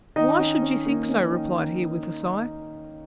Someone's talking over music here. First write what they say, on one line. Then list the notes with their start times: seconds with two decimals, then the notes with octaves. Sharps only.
"Why should you think so!" replied he, with a sigh.
0.16 D#3 D#4 D#5
0.39 C#4
0.62 C#4
0.86 A#3
1.09 C#4
1.32 D#3